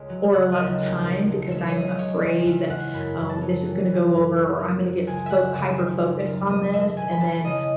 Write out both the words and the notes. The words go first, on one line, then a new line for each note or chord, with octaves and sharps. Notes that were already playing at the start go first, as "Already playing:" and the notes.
or a lotta time because I'm afraid that, "Oh, this is gonna go over or I'm gonna get fo hyperfocused on this, and then
Already playing: C#2 C#3
F#3
C#3 F#5
D#2 D#5 E5
C#2
B2
F#3
F#3 E5
C#5
C#2 D#5
C#2 C#5
E2
E2 E5
E2 F#5
F#2 B5
F#2
A5
F#3
E3
E3
F#2
F#3
F#3
F#3
C#2 G#5
F#3 E5 F#5
C#2 E5
D#3
F#3
D#2
B2 D#5
B2 E5
B2 G#5
B5
E2 A5
C#3 D#5